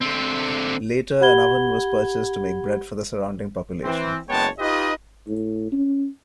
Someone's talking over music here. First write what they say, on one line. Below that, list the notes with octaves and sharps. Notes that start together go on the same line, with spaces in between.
Later an oven was purchased to make bread for the surrounding population.
D3 C4
G4 F#5 B5 G#6 G7
E3 C4
F#1 G#3 B3 C#5 G5 A5
D#4 F4 G4 B4 D#5
A2
C#4